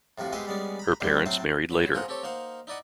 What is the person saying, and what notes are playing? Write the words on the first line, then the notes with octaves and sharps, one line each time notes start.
Her parents married later.
A2 C3 F3 F#4
G#3 B3 G4 C5 D#5 E5
G3 G#3 B3 C#4 D5
A#5 B5
A2 D3 G3 C4
A2 F#3 A3 C4 G5 A5
F#3 B5
F4 G#4 A#4 C5 F5 F#5
C4 G4 A4 C#5
A#3 D#4 C5 F5 F#5
D#4 E4 D5 D#5 F#5